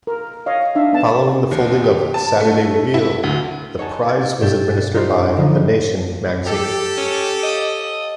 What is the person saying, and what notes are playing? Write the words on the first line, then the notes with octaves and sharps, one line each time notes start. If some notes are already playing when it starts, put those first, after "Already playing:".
Following the folding of "Saturday Review", the Prize was administered by "The Nation" magazine.
A#4
C#5 D#5 F5
D4 D#4 E5 F5
B3 A5
D#2
G4
A5
A3
E4
D2
D#4 C#5 F#5 G#5 A5
G#6 A6
G2 B2 G4 E5 G6 A6
D4 D#4 F4 G4 C5 B5
D3 F3 D#4
G4 A4
C#4
D#5